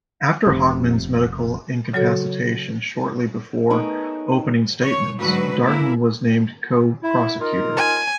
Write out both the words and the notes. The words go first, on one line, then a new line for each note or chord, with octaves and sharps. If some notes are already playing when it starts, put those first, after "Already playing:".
After Hodgman's medical incapacitation shortly before opening statements, Darden was named co-prosecutor.
F1 C3
C#3 F#3 F#4 A4 C#5
A3 B3 D#4 G#4 A#4 C#5
C#5
G#2 D3 F#3 F#4 B4
A#3 E4
E4
D#4 F4 A#4
G#5